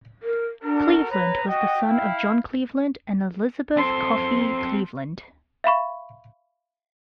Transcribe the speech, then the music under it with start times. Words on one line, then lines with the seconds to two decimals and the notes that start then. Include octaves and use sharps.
Cleveland was the son of John Cleveland and Elisabeth Coffey Cleveland.
0.23 A#4
0.63 D4 F#4 A4 A#4
1.10 B4 C#5 A#5
1.47 F#4 D#5 G5
1.86 E4 F5
3.77 C4 A4 C6
5.64 E5 F5 B5 C#6